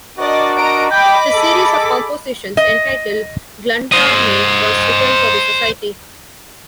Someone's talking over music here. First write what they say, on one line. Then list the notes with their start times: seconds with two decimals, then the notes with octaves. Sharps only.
His series of compositions entitled "Gluntarne" was written for the society.
0.18 D4 F#4 A#4 D5 D#5
0.57 D#5 A#5 D7
0.91 D#5 G5 B5 D6
1.33 G#4 A4
2.57 D#5
3.92 C5 D#5